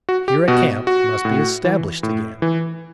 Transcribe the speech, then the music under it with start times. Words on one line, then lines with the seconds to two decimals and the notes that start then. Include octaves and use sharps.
Here a camp must be established again.
0.09 F#4
0.28 G4
0.48 B2 F#4
0.87 F#4
1.25 A2
1.64 E3
2.03 A2
2.42 E3